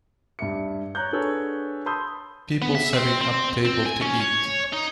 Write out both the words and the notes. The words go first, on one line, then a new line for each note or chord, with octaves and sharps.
People setting up the table to eat.
G2 E5 C#7
C#5 A#5 F#6 G6
D4 F#4 G#4 A4 B4 C#5
A5 B5 C6 D#6 E6 G6
B3
E5
C4
C4
C4
G#5
C#4
C#5
D#4